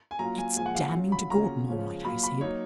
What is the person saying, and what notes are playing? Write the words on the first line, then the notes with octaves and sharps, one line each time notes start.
"It's damning to Gordon, all right," I said.
G#5
F#3 A#3 F4 A#5
G#5
A#2 F3 G#3 G#5
F#5
F5
F#3 C#4 F4
B5
C#3 F#3 A#3 C#4 F4 A#5
C#3 F3 G#3 C#4 F4
F#3 A#3 F4 B5
B5
F#3 A#3 D#4 C#5